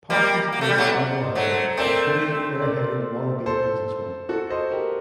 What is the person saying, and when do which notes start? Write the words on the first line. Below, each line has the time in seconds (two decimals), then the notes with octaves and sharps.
Parsons played Margot Hines, a snooty, air-headed wanna-be businesswoman.
0.10 G3 A#3 D#5 G5
0.52 A#3
0.61 A3
0.69 G3
0.78 F#3 A3
0.94 D5 F#5
1.21 C5 D#5
1.35 F#3 A3
1.50 A4 C5
1.77 A3 C4 A#4 D5
2.62 A#4 D5
3.46 A4 C5
4.29 F#4 A4
4.50 C5 D#5
4.71 G4 A#4